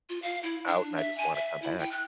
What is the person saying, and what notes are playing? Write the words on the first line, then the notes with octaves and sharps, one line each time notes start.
out and I just wanna come back.
F4
F5
E4
D4
E5
G#5
E5
E4
G5
F#6